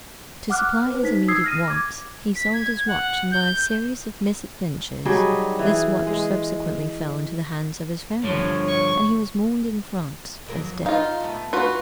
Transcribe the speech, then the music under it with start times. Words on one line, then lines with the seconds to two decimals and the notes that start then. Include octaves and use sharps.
To supply his immediate wants he sold his watch; and by a series of misadventures this watch subsequently fell into the hands of his family, and he was mourned in France as dead.
0.50 F#5 D6 F6 F#6
0.87 B4 C5
1.03 D#4 B6
1.28 D#6 E6 G#6 C7
1.44 F6 A#6 D#7
1.68 D6 G#6
2.36 B6
2.53 G#6
2.87 F#5
3.32 G6
5.05 F#3 G3 D#4 G#4
5.59 E3 G#4
6.07 G#3
8.24 G2 D3 F3 C#5
8.68 C#6
10.46 F2 F#3 A#4
10.86 D#4 F4 F5
11.20 A3 B3
11.53 F4 F#4 B4